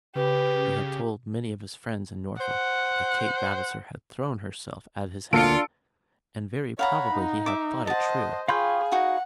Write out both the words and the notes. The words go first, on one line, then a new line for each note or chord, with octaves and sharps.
He had told many of his friends in Norfolk that Kate Vavasor had thrown herself at his head, and very probably he had thought it true.
C#3 G4 B4
C5 F#5
D2 A#3 D4 F4 A4 C#7 D7
C#5 F5 F#5 A#5 B5
D#4
E5 D6
C5 D#5 F#5 A5
F4 G#4 C#5 F5 G5 B5 G6
D#4 F#4 G#4 F#5